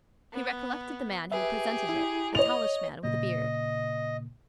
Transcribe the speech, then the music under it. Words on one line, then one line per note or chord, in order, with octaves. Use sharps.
He recollected the man who had presented it, a tallish man with a beard.
B3
G4 G#4 B4 E5
E4
C#5 D#5 F7
A#2 C#3 A#3 D#5